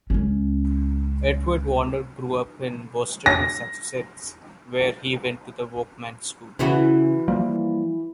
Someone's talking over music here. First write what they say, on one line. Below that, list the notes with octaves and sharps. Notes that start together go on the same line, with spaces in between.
Edward Warner grew up in Boston, Massachusetts, where he went to the Volkmann School.
C#2 C#4
A#6
C#3 E3 E4 F#4
F3 G3 A#3